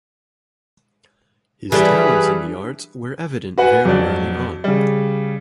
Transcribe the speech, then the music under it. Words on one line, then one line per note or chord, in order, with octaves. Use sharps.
His talents in the arts were evident very early on.
E3 G3 D4 G#4 A4 B4
F#4 B4 F#5 G#5
F2 F#3 D5
C#3 G3